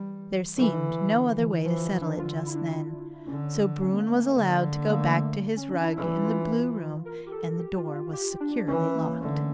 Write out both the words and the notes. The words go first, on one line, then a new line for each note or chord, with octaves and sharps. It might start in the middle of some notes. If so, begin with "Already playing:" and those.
There seemed no other way to settle it just then, so Bruin was allowed to go back to his rug in the blue room, and the door was securely locked.
Already playing: E3 G3
D3 E3
D3
E3
E3 F3
D4
D3 F4
E4
D4
E4
D3 C#4
C#4
A#3
A3
A#3
D3
A#3
A3
A#3
A3
C#4
D4
E4
E3 E4
F4
A#4
G4
A4
G4
F4
F4
G4
D4
E3 C#4
A#3
D3 A3